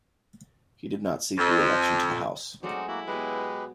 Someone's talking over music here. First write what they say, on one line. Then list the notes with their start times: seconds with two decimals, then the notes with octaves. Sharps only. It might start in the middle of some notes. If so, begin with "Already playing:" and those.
He did not seek re-election to the House.
1.37 F2
2.63 F#3 G#3 A3 C4 C#4 D#4 F#4 D5
2.88 A#3 E4 F#4
3.07 B2 G#3 G4 B4 G#5